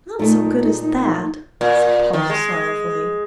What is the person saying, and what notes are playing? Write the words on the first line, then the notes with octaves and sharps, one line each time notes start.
"Not so good as that," said Polly, sorrowfully.
A#2 A3 D#4
A#2
D#3
G#3